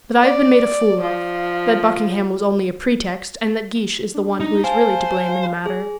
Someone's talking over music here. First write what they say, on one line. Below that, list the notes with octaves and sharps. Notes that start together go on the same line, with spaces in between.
"That I have been made a fool of; that Buckingham was only a pretext, and that Guiche is the one who is really to blame in the matter."
D5
F3
D4
D#4
C5 F5 G#5 A5
G#4